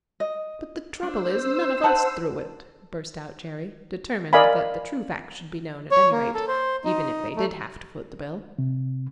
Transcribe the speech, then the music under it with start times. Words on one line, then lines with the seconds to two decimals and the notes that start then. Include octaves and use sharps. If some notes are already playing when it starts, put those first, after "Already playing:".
"But the trouble is, none of us threw it!" burst out Jerry, determined that the true facts should be known at any rate, even if they did have to foot the bill.
0.20 D#5
1.03 D4 C5 E6
1.84 B4 F#5 A5
4.33 A#4 D5 D#5 F5 G#5 B5
5.91 C#5
6.11 A#3
6.35 A4
6.48 C5
6.85 D#4
7.36 A3
8.59 C3